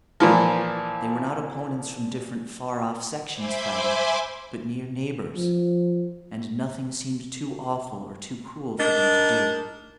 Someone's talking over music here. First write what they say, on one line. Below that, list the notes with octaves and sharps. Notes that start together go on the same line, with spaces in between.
They were not opponents from different far-off sections fighting, but near neighbors, and nothing seemed too awful or too cruel for them to do.
A#2 E3 F3
C5 E5 G#5 B5 C6 D6
F3
D4 D#4 A#4